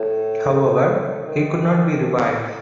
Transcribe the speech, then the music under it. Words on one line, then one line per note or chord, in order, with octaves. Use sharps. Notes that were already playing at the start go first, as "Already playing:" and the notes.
However, he could not be revived.
Already playing: A2
D#3